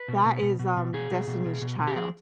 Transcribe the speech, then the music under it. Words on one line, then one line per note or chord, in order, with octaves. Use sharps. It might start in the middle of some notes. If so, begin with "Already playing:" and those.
That is, um, Destiny's Child.
Already playing: B4
B2
B2
B2
B2
B2
B2 G#4
B2
B2
B2
B2
B2
G4
F3 G#4